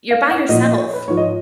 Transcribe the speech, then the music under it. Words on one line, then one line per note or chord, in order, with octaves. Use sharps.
you're by yourself.
F5
F#5
A#2 F3 D#5
D#5
C#5
B4
G#2 F3 C#5
D#5